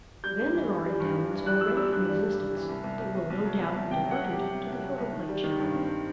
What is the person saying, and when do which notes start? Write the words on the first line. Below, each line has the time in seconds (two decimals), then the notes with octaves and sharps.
Then there are endowments already in existence that will no doubt be diverted to the photoplay channel.
0.24 G3 G6
0.40 G2
0.55 E3
0.69 E3
0.85 G3
1.00 G2
1.16 G2
1.31 E3
1.46 G3 F#6
1.61 E3 E6
1.76 G3 E6
1.92 G2 F#6
2.07 G3
2.23 G2
2.38 G3
2.53 E3
2.69 C2
2.84 C2
2.99 C2
3.15 C2
3.30 C2
3.45 F#3
3.60 C2
3.76 C2
3.91 C3 G5
4.06 F#3 F#5
4.21 C2
4.31 C3 G4
4.52 C2
4.68 C2
4.82 F#3
4.98 C2
5.13 D#3
5.29 G3
5.44 D#3
5.59 G2
5.74 C4